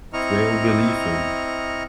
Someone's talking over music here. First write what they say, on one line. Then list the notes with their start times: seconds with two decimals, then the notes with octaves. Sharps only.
They'll believe him.
0.13 C4 E4 D#5 A#5 C#6 F6